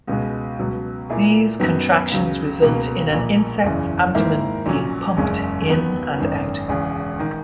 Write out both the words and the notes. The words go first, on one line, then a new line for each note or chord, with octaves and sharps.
These contractions result in an insect's abdomen being pumped in and out.
C#2 B2 G#3
C#2 B2 F#3
A#2 A#3 E4 G#4
F#2 D#3 F#3 B3
C#2 C#3 F#3
C#2 B2 A#3
A#1 A#2 A#3
F#1 E2 C#3 E3
G#2 D#3 A#3 E4 A#4
A#1 A#2 F#3 C#4
F#1 E2 C#3 G#3 C#4
D#2 D#3 F#3 B3 F#4
G#1 F#2 D#3
E1 E2 C#3
D#3